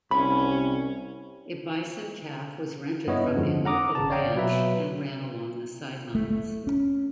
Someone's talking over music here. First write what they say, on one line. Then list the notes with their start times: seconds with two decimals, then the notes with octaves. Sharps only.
A bison calf was rented from a local ranch and ran along the sidelines.
0.11 C2 C#4 B5
3.07 G2 B3 E4 C#5 D#5
3.37 F2 D3 F3 G#3
3.65 F#5 A#5 D6 D#6
3.95 G#1 C#3 A5
4.10 C#5 D5 F5 G5 A#5
4.35 B2 F#3 B4 E5
6.15 A3
6.31 A3
6.67 C#4